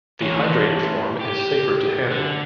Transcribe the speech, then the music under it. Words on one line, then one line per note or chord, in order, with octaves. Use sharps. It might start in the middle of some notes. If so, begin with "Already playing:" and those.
The hydrated form is safer to handle.
E3 C#5
G4
D3